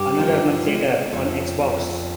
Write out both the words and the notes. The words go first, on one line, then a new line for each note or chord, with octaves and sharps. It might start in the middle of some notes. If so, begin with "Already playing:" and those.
Another month later: on Xbox.
Already playing: G2 G4
F3
G#3
F2
F2